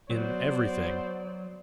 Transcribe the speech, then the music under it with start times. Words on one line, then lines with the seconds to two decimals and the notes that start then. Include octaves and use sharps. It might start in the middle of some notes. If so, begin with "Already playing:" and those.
"In everything."
0.10 F#3 B3 C5 D5